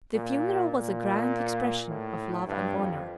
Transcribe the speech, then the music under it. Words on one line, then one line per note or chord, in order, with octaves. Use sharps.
The funeral was a grand expression of love and honor.
A#2
A#2
A2
G2
F2